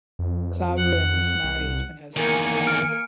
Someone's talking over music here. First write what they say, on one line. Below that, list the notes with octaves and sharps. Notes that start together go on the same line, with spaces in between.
Klaveren is married and has one child.
F2
F#5
C2
E2 D#3 A#3 G#5 C#7
F6 D7